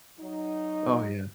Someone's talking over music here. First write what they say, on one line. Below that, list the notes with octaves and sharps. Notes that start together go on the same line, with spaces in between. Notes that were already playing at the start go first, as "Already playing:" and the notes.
Oh, yeah.
F#3 D#4